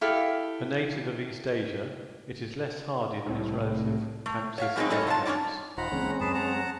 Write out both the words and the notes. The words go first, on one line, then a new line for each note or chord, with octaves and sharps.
A native of East Asia, it is less hardy than its relative "Campsis radicans".
E4 G4 A4 F5
C2 A2
A3
C#5 E5 F5
F#2 B2 G#3 B3 C4 D#4
G3 C#4 A4 C#5 D#5
C3 F4 C5 A5
C#4 D4 E4 C#5 D5
D#1 D#4 F4 C5 F#5 A#5 B5
C#2 E3 G#3 A#3 C4 C#4
F#2 F#3 G#4 B4 A5
F#5 A5 A#5